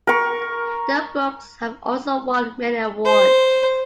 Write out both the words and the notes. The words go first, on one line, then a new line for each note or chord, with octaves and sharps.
The books have also won many awards.
A#4 C#6
C5